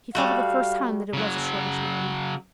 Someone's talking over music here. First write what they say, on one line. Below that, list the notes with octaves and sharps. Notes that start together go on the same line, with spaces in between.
He felt for the first time that it was a shortish name.
G3 A3 F#4 F5
C#3 F#3